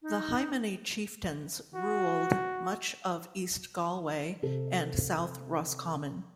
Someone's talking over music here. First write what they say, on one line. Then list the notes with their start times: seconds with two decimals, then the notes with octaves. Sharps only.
The Hymany chieftains ruled much of East Galway and South Roscommon.
0.02 D#4
1.75 F#4
4.42 C3 A4